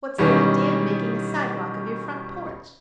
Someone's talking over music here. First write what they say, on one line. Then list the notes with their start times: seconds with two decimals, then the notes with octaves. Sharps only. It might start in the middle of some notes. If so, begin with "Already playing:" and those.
What's the idea in making a sidewalk of your front porch?
0.18 B2 D#3 E3 G3 C#4